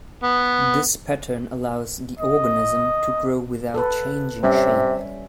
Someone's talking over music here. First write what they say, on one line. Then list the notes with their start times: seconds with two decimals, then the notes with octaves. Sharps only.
This pattern allows the organism to grow without changing shape.
0.23 B3
2.19 D#5
3.74 A4 B4
4.43 C3 G3 C#4 E5